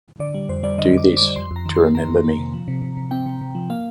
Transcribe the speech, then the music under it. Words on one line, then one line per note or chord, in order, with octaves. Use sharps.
Do this to remember me.
D3 D5
G3
F2 C5
G3 D5
D3 D#5
F2 D6
F2
D6
G3
F2 C6
F2
A#5
D#3
A#3 C6
D#3 A#5
F2
A#3
C3
F3
C3
C3
C3
C4 G5
C3
C3
F3
A#3 F5